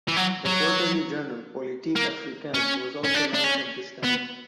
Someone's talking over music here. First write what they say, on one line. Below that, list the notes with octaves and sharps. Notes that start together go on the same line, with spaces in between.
The quarterly journal Politique africaine was also launched at this time.
E3
F#3
F#3
A#3
C#4
C#4
D4
D4
C#4
B3